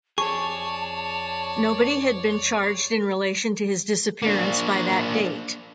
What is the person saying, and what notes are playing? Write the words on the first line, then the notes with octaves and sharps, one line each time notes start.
Nobody had been charged in relation to his disappearance by that date.
F2 G#4 C#5 D5 A5 C#6
A#3 D4